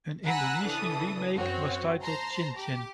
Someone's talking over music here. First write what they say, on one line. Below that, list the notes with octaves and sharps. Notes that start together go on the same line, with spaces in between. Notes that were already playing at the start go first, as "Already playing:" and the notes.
An Indonesian remake was titled "Cincin".
F#5 G#5 A#5 B5 E6 F#6
C#3 E3 D4 A4 D#6
F#2 C4 F#4 C#5
C5 A5 A#5 C6
G4 D6